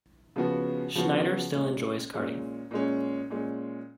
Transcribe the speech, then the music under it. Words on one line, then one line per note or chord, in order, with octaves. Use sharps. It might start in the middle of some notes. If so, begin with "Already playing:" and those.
Schneider still enjoys karting.
C#3 F3 B3 F#4
C#3 F3 B3 F#4
A#2 G#3 C#4
A#2 G#3 C#4
A#2 G#3 C#4
A#2 G#3 C#4